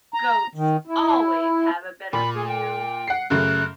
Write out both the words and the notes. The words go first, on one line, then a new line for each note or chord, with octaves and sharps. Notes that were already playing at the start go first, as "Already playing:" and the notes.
Goats always have a better view.
A#5
D#3
E4
A#2 B5
G#4
G5
F#5 C7
F#2 C#3 A3 F#6